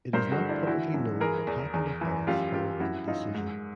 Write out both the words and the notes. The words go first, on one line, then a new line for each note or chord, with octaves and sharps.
It is not publicly known what happened of Hollis following the decision.
G2 A#4 C5
F#4 G#4
D3
D4 E4
E3 E4 F#4
F#2
E3 G#4 A#4
E2
E2
E3
F#2 F4 G4
F#2 F4 G4
F#2 E4 F#4
F#2 D#4 F4
G#2